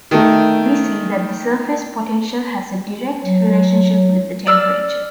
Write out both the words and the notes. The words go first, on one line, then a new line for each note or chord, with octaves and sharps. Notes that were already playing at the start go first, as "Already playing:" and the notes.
We see that the surface potential has a direct relationship with the temperature.
D#3 A3
F#3
D5 E6 F6